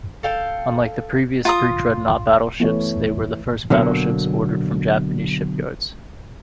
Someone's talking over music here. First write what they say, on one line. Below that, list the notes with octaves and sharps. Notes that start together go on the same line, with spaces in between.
Unlike the previous pre-dreadnought battleships, they were the first battleships ordered from Japanese shipyards.
A4 F5 G5
F4 A#5 D#6
E3 A3 B3 A4 C#5
B2 D3 F#3 A#3